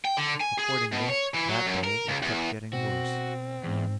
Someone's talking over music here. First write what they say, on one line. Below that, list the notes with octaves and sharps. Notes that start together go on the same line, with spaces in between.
Accordingly, that day it kept getting worse.
G5
D3
G#5
G#4
B2
C#5
E3
F#3
F#2
A#4
C#2
E2
B2 C4 F#4
E2 G#2